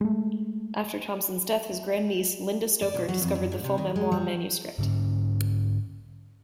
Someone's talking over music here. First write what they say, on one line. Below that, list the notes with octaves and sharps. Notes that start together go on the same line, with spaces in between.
After Thompson's death, his great-niece Linda Stoker discovered the full memoir manuscript.
G#3 A3
D5
B2
F#3
F2
F#2
G#2
C3
D#3
G#3
G3
G#2 D3 C#4